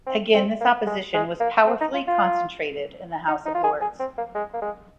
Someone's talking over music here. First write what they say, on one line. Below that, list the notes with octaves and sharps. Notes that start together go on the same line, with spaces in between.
Again this opposition was powerfully concentrated in the House of Lords.
C4
C4
A#3
G#3
G#3
A#3
C4
D#4
F4
F4
D#4
D#4
F4
G#4
G#4
C4
A#3
G#3
A#3
G#3